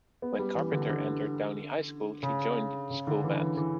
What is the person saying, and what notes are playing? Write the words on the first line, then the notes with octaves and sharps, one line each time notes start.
When Carpenter entered Downey High School, she joined the school band.
B3
G3
E3
D3
D3
C#3
C#3
D3
E3
E3
E3